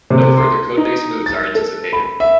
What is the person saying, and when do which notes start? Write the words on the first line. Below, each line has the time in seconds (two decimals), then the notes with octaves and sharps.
No further codebase moves are anticipated.
0.10 C3
0.38 C6
0.77 D#4
1.26 A6
1.55 A4
1.93 B5
2.20 E5